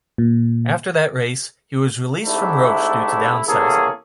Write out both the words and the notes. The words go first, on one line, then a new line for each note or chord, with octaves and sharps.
After that race, he was released from Roush due to downsizing.
A#2
G#2 C3 A3 D4 E4
E2 C3 A#3 C#4 G#4 A4